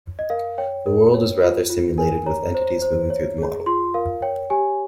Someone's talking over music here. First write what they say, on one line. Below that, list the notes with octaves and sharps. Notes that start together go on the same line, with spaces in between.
The world is rather simulated with entities moving through the model.
D#5
A#4 F5
C#5 G5
A#4
C#5
F4
F4
A#4 G#5
C#5 A#5
C5
C5
C#5
G#4
F4 C6
A#4 F5
C#5 G5
G4 G#5